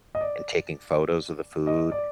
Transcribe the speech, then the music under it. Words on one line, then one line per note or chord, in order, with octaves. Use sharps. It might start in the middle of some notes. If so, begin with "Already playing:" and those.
and taking photos of the food,
D#5
D5
D#5
D5